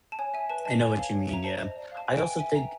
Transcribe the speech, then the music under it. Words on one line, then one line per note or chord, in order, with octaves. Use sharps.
I know what you mean, yeah. I also think
A5
C#5 G#5
E5 G#5
B4 A5
D#5 A5
C#5 G#5
F5
C#5
E5 A#5
C5 A5
D#5
D5
F5
A5
B4 G#5
G5
E5 G#5
E5 G#5
G5 A#5